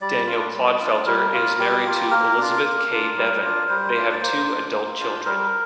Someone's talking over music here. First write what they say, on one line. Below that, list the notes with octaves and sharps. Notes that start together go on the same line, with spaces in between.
Daniel Clodfelter is married to Elizabeth K. Bevan; they have two adult children.
G3 D5
D4 F4
G3
D4 F4
G3 A#4
A#3 F4
G3 G4
A#3 F4
A#3 A#4
D4 F4
A#3
D4 F4
G3
D4 F4
G3 C5
D4 F4
D5
A#3 C5
D4 F4
A#3
D4 F4
G3 A#4